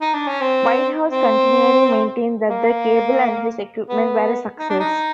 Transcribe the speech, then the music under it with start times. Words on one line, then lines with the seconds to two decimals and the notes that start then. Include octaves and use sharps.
Whitehouse continually maintained that the cable and his equipment were a success.
0.01 D#4
0.14 D4
0.28 C#4
0.41 C4
1.11 C4
2.50 A#3
3.89 B3
4.59 D#4
4.69 D4
4.80 D#4